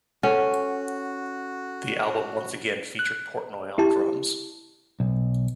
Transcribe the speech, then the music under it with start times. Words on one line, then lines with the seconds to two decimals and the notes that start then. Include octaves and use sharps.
The album once again featured Portnoy on drums.
0.23 C#4 F#4 A4 F#5
2.99 F#6
3.78 E4 G4 A5
5.00 B1